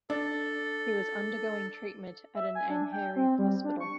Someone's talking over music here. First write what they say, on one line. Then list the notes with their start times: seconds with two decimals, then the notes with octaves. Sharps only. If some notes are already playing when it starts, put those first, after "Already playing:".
He was undergoing treatment at an Andheri hospital.
0.10 D4 A4
2.35 E5
2.55 G#5
2.70 D4
2.92 G5
3.16 C4
3.39 G3
3.64 D4
3.80 C#6